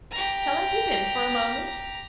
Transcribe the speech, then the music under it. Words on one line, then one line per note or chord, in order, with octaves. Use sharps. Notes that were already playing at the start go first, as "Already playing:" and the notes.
"Shall I peep in for a moment?"
G4 A#5